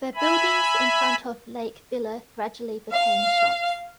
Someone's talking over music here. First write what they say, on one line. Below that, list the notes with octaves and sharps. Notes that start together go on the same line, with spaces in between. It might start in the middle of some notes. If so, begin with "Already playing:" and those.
The buildings in front of Lake Villa gradually became shops.
E5 G#5 B5
F5